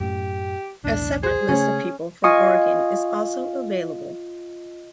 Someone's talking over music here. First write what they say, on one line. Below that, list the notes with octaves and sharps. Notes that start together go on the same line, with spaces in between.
A separate list of people from Oregon is also available.
F#2 A2 G4
B1 E2 A2 D4
G#4 C5
C#3 A3 C#4
F4 D#5 G#5 C#6 D#6